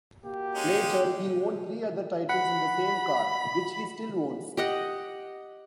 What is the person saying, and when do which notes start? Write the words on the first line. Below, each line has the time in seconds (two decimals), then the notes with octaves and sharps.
Later he won three other titles in the same car, which he still owns.
0.24 A#3 F#4 G4
0.55 G#3 C#4 D#4
2.29 F#5 B5
4.57 G4 D#5 F#5